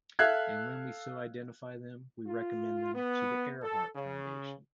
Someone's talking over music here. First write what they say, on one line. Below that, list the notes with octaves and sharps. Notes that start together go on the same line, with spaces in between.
And when we so identify them, we recommend them to the Earhart Foundation.
A4 E5 F5 F#6 G#6
F4
B3
A4
C#3